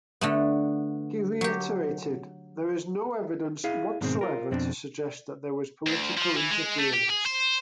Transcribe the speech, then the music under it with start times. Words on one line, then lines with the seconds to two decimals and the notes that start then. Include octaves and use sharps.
He reiterated: There is no evidence whatsoever to suggest that there was political interference.
0.21 D3 A3 B3
1.41 F#3 G4
3.64 E4 G#4 F5
4.01 G#2 B2 D#3 G#3 B3 C4
4.21 F4 A#4
4.51 F2 B2 C4 D4
5.86 D2
6.17 F3
6.37 E3
6.51 G#3
6.79 A3
6.93 G4
7.10 G#4
7.26 C5